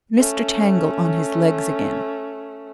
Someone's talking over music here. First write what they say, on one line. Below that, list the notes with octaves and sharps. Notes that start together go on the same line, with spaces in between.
Mr. Tangle on his legs again.
A3 C#4